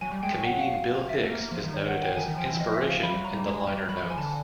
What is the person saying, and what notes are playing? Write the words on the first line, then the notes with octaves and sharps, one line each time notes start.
Comedian Bill Hicks is noted as "inspiration" in the liner notes.
F#3 G#5
G3
G#3 G5
F#3
F#5
F5
F5
E5
A3
A#3
A#3
F3
D#3
C#5
F#5
G5
D#3 G#5
D#3
F3 G5
E3
F3 D#5
E5
F5
F3 B5
G3
F#3
A#5
G3
G#3
G3
F#3 B5
F3
G#5
D3 A5